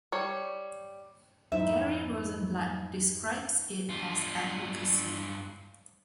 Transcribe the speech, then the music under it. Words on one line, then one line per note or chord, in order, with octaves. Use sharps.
Gary Rosenblatt describes it as "advocacy".
G3 C#5
F2 G#2 D#4 E4 C5 E5
G2 F4